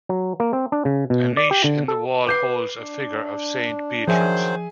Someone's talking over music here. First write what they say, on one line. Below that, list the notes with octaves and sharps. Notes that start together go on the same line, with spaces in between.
A niche in the wall holds a figure of Saint Beatrix.
F#3
A#3
C4
D4
C#3
B2
D5
G4
D3
A4
B4 D6 G6 C7
D4
D#3 F3 F#3 G#4 C5 E5 G#5